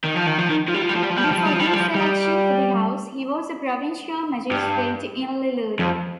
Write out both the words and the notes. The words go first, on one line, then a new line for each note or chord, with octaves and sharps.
Before his election to the House, he was a provincial magistrate in Lillooet.
D#3
F3
D#3
F3
D#3
F3
G3
F3
G3
F3
G3
F3
G3
F3
G3
F3
G3
F3
G3
F3
G3
F3
G3
G2
F2